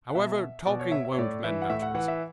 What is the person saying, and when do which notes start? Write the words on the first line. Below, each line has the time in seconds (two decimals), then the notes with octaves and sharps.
'However, talking won't mend matters.
0.10 F#5
0.15 B2 E5
0.66 B2 D5
0.80 C#5
0.92 E5
1.05 E5
1.14 C#5
1.18 A2 D5
1.44 E3 E5
1.62 F#5
1.70 A2 E5
1.82 F#5
1.94 E3 F#5
2.08 E5